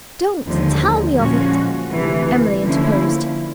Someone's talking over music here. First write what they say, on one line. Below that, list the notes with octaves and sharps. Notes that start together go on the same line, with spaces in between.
"Don't tell me of it!" Emily interposed.
D#2 D3 F3 G#3
A#2 F3 G#3 C#4 F#4
D2 C3 E3
D3 F3 A#3 C#4 E4